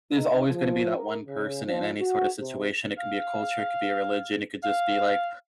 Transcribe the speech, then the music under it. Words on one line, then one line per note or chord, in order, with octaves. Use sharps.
there's always gonna be that one person in any, sort of, situation, it could be a culture, it could be a religion, it could, just, be, like,
D#4
F3
A#4
C#3
F3
F#4
C3
F5
F5